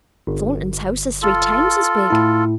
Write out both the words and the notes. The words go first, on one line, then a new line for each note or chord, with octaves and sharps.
Thornton's house is three times as big.'
G1
F4 A4
A2 E4